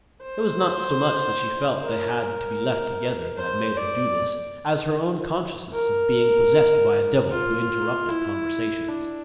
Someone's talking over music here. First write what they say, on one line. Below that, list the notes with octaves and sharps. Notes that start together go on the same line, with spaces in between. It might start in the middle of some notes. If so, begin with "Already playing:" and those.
It was not so much that she felt they had to be left together that made her do this as her own consciousness of being possessed by a devil who interrupted conversations.
C5
A#4
C5
D5
A#4
F4
E4
D4